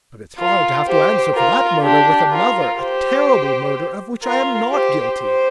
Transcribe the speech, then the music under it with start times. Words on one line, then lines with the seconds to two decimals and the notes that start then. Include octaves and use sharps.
But it's hard to have to answer for that murder with another, a terrible murder of which I am not guilty....
0.38 F4 A#4
0.86 G4 C5
1.35 F4 A#4
1.82 D4 G4
2.30 F4 A#4
2.79 G4 C5
4.23 F4 A#4
4.71 G4 C5
5.19 G4 C5